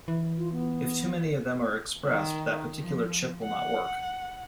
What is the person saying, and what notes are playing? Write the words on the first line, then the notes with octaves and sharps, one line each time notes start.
If too many of them are expressed, that particular chip will not work.
E3
F4
B3
D#3
F3
F#5